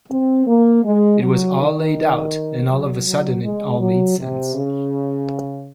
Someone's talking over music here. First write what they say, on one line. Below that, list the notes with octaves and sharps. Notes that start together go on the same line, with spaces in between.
It was all laid out and all of a sudden it all made sense.
C4
A#3
G#3
F#3
D#3
F#3
F#3
G#3
F#3
C3
C#3